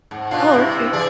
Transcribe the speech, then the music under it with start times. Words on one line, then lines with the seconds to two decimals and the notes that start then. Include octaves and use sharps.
Oh, okay.
0.11 G#2
0.31 B2 D4 F4
0.54 G2 C3 E4
0.93 E3 G#4 D5